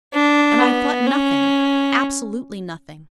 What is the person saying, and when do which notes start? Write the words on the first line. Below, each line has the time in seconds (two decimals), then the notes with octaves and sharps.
And I thought nothing; absolutely nothing.
0.14 D4
0.61 B3
1.06 C#4